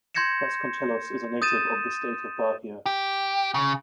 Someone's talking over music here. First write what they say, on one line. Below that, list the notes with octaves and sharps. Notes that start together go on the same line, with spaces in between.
Vasconcellos is a native of the state of Bahia.
C6 G6 G#6 A#6 C#7 E7
D#6 G6 A6 D#7 E7
G4
C#3